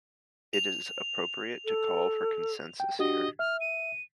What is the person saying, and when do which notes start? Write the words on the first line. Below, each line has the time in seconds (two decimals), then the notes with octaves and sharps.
It is appropriate to call for consensus here.
0.53 F7
1.65 A4
2.80 G5
2.99 D4 F#4 G4 D#5
3.39 E5 F6
3.61 D#7